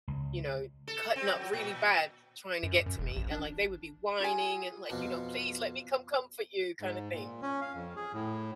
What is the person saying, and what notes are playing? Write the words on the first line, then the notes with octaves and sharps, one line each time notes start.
you know, cutting up really bad trying to get to me, and, like, they would be whining and, like, you know, "Please, let me come comfort you," kinda thing.
C#2
A4
C4
F#3
A#2
F#2
F#2
E1
A1
D4
F4 G#4 G#5
F2 B2 D4
G#2
A#2
C#4
F5
F2
G#4
A2